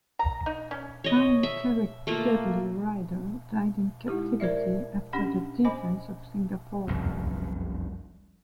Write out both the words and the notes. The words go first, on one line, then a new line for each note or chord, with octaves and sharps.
Ernle Terrick Dudley Ryder died in captivity after the defence of Singapore.
A#5
D#4
C#4
C#5 D#5
E5
A3 A#3 F4
G#3 D#4 E4 G4
A#4 C5 D5 E5
C#4 D4 G4 F#5
C5 D#5 G#5 B5 D6
F1 C2 F#2